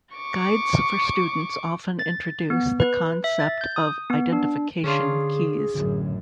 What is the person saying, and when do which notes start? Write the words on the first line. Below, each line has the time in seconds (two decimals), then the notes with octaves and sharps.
Guides for students often introduce the concept of identification keys.
0.16 C#6 D6
1.99 A6
2.50 B3
2.80 B4
3.24 E5
3.40 A6
3.61 G6
3.76 D#6
4.10 B3
4.33 D4
4.84 D3 C#4 D4 F4 G#4
5.75 A1 F#2 D3